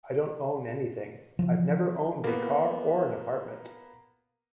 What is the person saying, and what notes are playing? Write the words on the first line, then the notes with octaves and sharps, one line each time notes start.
I don't own anything -- I've never owned a car or an apartment.
C#3 E3 F3
A#3 B3